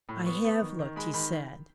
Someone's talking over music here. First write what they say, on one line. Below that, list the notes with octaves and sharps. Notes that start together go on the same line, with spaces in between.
"I have looked," he said.
A2
B3 C#6
B3
D#3
D#3
G#3 B5
D#3 B5